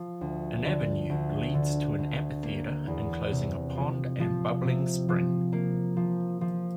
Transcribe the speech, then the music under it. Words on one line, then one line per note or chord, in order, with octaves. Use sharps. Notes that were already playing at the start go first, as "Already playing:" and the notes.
An avenue leads to an amphitheatre enclosing a pond and bubbling spring.
Already playing: F3
D2
D3
D2
D3
D2
A#3
E2
C3
F3
F3
C3
F3
A#3
F3
F3